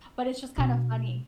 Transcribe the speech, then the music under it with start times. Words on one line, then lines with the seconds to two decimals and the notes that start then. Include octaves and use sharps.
But it's just kinda funny.
0.58 B2 D4